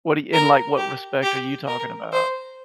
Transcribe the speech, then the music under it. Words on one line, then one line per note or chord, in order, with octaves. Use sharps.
What do y in, like, what respect are you talking about?
A#4
G4
G4
A#4
C5